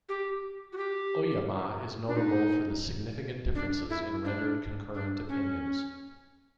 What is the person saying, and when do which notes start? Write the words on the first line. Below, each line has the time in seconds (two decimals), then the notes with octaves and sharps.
"Oyama" is notable for the significant differences in rendered concurrent opinions.
0.09 G4
0.73 F#4
0.77 G4
2.08 D4
2.16 D#4
3.55 D4
3.90 E4
4.25 D4
4.94 D4
5.29 C#4